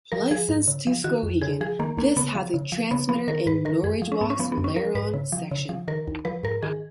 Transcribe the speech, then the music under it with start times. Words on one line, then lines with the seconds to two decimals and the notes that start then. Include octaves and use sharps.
Licensed to Skowhegan, this has a transmitter in Norridgewock's Larone section.
0.12 F3 A#4
0.31 F3 G#4
0.49 G#2
0.68 C#3
0.87 F3
1.04 D#3 F#4
1.23 F2
1.41 C#3 G#4
1.61 F3 G#4
1.79 D#3 A#3
1.97 D#2 A#3
2.17 C#3 B3
2.35 F3
2.54 C#3
2.72 F3
2.91 C#3 B3
3.09 F3 B3
3.28 D#3 A#4
3.46 G#2 B4
3.65 D#3 A#4
3.83 F#2 G#4
4.02 F3
4.12 C#4
4.21 G#2 B3
4.30 C#4
4.39 F3 B3
4.52 B3
4.57 F#2
4.64 C#4
4.76 F3 A#4
4.95 G#2 B4
5.14 C#3
5.32 F3
5.51 C#3
5.69 F3
5.88 D#3 A#4
6.07 D#2
6.25 F3 B4
6.43 G#2 A#4
6.63 D#3 G#4